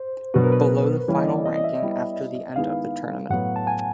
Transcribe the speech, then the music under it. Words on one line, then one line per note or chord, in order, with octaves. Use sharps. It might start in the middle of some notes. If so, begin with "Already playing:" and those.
Below the final ranking after the end of the tournament.
Already playing: C5
B2 F#3 B3 D4 F#4 B4
A#4
B4
E3 G3 A#3 C#4 E4 C#5
D#5
D5
D#5
D#5
E5
G3 B3 E4
D#3 G#3 B3 E4 G#4 F5
A2 F#3 B3 F#5
A5
G#5